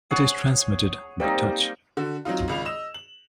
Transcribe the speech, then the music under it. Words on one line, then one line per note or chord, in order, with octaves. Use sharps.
It is transmitted by touch.
G#4 C#5 F#5
G3 A#3 C4 D#4
D3 F#4
F#3 C4 D#4 F4
G#1 C#2 F4 F7
D#5 E6 E7
F#7